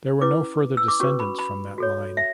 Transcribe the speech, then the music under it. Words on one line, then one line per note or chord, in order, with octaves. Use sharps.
There were no further descendants from that line.
C#4 E4 B4 D6
E6
D6
C#4 F#4 B4 C#6
B5
B5
F#4 A4 C#5
E5